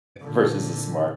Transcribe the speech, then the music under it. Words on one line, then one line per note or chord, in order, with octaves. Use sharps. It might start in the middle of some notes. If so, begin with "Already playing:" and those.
Versus the smart
A#2 D3